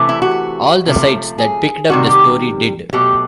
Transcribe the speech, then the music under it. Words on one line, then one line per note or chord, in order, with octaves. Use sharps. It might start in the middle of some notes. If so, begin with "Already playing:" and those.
All the sites that picked up the story did.
Already playing: C3 E3 A3
E4
F#4
C3 F3 A3
G#4
C3 D#3 G3 F#4
G4
B2 F#3 A3 G4